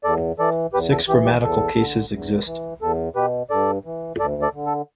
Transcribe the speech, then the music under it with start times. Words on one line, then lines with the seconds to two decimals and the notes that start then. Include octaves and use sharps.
Six grammatical cases exist.
0.04 E2 A4 D5
0.39 E3 A4 D5
0.73 E2 G4 B4
0.91 A4
1.08 E3 G4
1.25 G4
1.43 E2 A4
1.78 D3
2.12 E2
2.46 E3
2.81 E2 A4
3.15 B2 G4 B4
3.50 G2 A4 D5
3.85 E3
4.19 D2 A4 D5
4.42 A4 D5
4.54 D3
4.66 A4